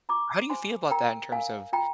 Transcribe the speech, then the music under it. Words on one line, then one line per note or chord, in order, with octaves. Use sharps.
how do you feel about that in terms of
F4 A#5 D6
C5 G#5 C6
A#4 G5 A#5
A#4 F5 G#5
F4 G5 A#5